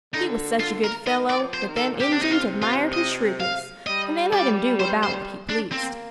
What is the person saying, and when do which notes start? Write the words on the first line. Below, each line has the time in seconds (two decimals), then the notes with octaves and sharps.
He was such a good fellow that them Injuns admired his shrewdness, and they let him do about what he pleased.
0.14 D3 D#4
0.60 F4
0.84 A#4
1.06 D#3 D#5
1.30 D5
1.38 F3
1.54 C5
1.69 D#3
1.77 A4
1.93 A#2
2.00 C3 G4
2.12 D4
2.22 D#4
2.31 F4
2.62 F4
2.94 D#5
3.40 F5
3.87 G3 D#5
4.33 D5
4.80 C5
5.03 C5
5.49 D4
5.72 A#3 C4